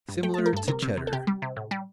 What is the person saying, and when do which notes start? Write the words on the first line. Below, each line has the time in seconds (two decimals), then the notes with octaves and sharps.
Similar to Cheddar.
0.09 G2
0.23 A3 G5
0.34 A5
0.38 A3
0.46 A#4
0.53 G2 A4
0.67 C3 A#4
0.82 C3
0.97 C3
1.07 A4
1.12 C3 G4
1.27 G3
1.42 C3
1.56 A2
1.71 G3